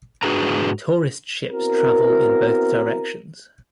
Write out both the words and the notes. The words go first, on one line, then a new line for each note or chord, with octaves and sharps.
Tourist ships travel in both directions.
G#2 D4 F#4 G#4 B4 A#5
B3 C4 E4 F#4 A#4